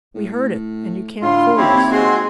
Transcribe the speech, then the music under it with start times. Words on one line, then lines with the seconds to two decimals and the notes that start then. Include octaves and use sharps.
"We heard it, and you can't fool us!"
0.15 A2
1.22 A2 D3 F4 C6
1.58 D#2 C4 E4 G4 C#5
1.91 G#3 C4 F#4 G#4 C6